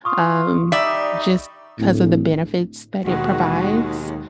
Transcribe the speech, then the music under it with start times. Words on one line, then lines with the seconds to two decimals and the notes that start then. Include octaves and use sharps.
um, just 'cause of the benefits that it provides,
0.05 F4 C#6 D#6
0.72 G3 D#4 G4 D5 E5
1.79 D1 A2
3.03 D#2 B2 D#3 G#3 F#4